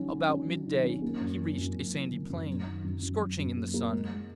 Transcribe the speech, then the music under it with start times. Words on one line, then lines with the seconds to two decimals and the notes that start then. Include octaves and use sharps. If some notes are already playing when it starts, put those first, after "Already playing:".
About mid-day he reached a sandy plain, scorching in the sun.
Already playing: D#3 F#3 C#4
0.12 D#3
0.29 C#4
0.47 F#3
0.66 D#3
0.84 C#4
1.02 A#3
1.20 F#2
1.38 E3
1.57 F#2
1.75 F#2
1.94 E3
2.11 C#3
2.30 F#2
2.48 F#2
2.66 D#3
2.84 F#2
3.03 F#2
3.21 F#2
3.39 F#2
3.57 A#3
3.74 A#3
3.92 G#3
4.11 G#3